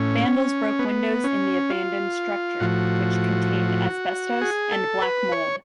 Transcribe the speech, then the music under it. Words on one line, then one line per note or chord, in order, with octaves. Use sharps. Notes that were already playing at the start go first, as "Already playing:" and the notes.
Vandals broke windows in the abandoned structure, which contained asbestos and black mold.
Already playing: A2 C#4
B3
C#4
F4
A2 F3 F#4
G#4
A4
B4
C#5